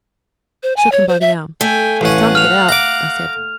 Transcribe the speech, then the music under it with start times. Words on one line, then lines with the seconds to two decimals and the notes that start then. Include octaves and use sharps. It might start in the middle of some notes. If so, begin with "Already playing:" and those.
I shook him by the arm, 'It's time to get out,' I said.
0.63 C5
0.77 G#5
0.92 C#5
1.08 C5
1.21 E5
1.61 A3 G5 G#5
2.01 A1 C#4 F5 F#5
2.35 F6 F7
2.69 A#5 D6